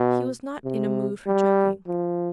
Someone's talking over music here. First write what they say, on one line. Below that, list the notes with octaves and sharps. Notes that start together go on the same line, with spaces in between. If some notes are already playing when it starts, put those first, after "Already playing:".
He was not in a mood for joking.
Already playing: B2
C3
G3
F3